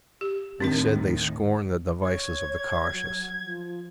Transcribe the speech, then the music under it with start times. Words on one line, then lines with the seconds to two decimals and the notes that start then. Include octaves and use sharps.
They said they scorned the devices of the cautious.
0.21 G4
0.60 D#2 A2 D#3 C4 D4 A#4
2.03 C#5 G#6
2.93 F#3
3.44 F3